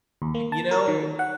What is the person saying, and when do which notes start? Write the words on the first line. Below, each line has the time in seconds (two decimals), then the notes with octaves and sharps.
You know
0.22 D#2
0.35 A#3
0.52 A5
0.71 A#4
0.88 D#3
1.19 F#5